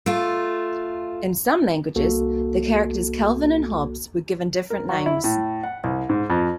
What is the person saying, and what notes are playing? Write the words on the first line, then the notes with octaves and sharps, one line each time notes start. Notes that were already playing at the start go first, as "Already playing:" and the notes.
In some languages the characters Calvin and Hobbes were given different names.
A3 F4
C2 A#3 F#4 A4
A#4
F#3
E4
A2
F#5
C2
G#2
F2